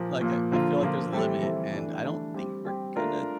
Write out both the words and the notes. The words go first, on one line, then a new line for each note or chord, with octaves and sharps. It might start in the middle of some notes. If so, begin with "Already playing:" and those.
like, I feel like there's a limit and I don't think we're gonna
Already playing: A#2 F3 A#3
A#2 F3 A#3
D3 F3 A#3 F4
D3 F3 A#3 F4
E3 G3 C4 E4 A4
E3 G3 C4 E4 A4
E3 A3 D4
E3 A3 D4
G3 C4 G4
G3 C4 G4
A3 D4 F4 A#4